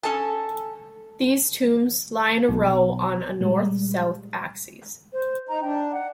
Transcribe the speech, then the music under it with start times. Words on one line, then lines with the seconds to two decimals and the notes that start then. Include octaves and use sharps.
These tombs lie in a row on a north-south axis.
0.03 C#4 A4 G#5 A5
2.49 B1
3.40 A#2 G3 G#3
5.13 C5
5.49 D#4 A#5
5.62 D4 G5
5.92 F#5